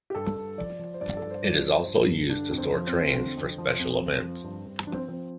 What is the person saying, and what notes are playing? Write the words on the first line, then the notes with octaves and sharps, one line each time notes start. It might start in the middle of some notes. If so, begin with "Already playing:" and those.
It is also used to store trains for special events.
G4
G2 A4
G2
F3 D5
F3
C5
G2 D5
A4
G2
C5
F3 D5
F3
C5
G2
G2
D3 D4
F2
C4
F3
C4
F2
D3
F2
F3
F2
F3
F3
G2
G2
F3 D4
C4
F3 C4